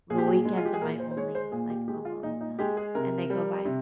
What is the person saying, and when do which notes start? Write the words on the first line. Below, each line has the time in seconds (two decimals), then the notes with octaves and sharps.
the weekends are my only, like, alone time, and they go by
0.10 A#2 G#4
0.18 G4
0.27 G#4
0.45 G#3
0.57 F4
0.65 G4
0.74 G#4
0.81 A#2 A#4
0.99 C5
1.11 C5
1.17 G#3 C#5
1.35 C5
1.52 A#2 G#4
1.70 G4
1.88 G#3 G4
2.05 F4
2.23 A#2 D#4
2.41 D#4
2.59 G#3 G4
2.77 G#4
2.95 C3 A#4
3.30 G3
3.65 C3